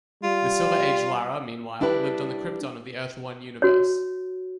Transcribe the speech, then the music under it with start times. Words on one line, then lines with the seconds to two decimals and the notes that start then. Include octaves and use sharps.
The Silver Age Lara, meanwhile, lived on the Krypton of the Earth-One universe.
0.23 G3 F4
1.80 G3 D4 E4 G4 B4
3.62 F#4 C#5